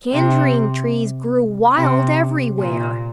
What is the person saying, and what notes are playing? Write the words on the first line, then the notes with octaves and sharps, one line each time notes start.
Tangerine trees grew wild everywhere.
C3
C3
A#2